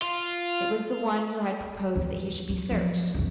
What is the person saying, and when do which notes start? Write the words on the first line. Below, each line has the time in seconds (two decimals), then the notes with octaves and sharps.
It was the one who had proposed that he should be searched.
0.02 F4
1.96 E2
2.49 F#3
2.71 F3
3.14 F#2 D#3